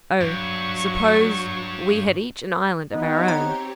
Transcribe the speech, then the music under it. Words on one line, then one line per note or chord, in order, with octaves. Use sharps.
Oh! suppose we had each an island of our own.'
G2 F#3 C#6
B3 C4 D#4 G4 C#5
A#5